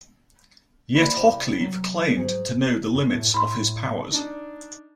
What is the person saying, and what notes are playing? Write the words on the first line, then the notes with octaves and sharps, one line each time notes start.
Yet Hoccleve claimed to know the limits of his powers.
A#3 E4 C5 D5 B5
C3
F#3
G#2 G#4
F#2
A2
A2 B5 C6
D4 D#4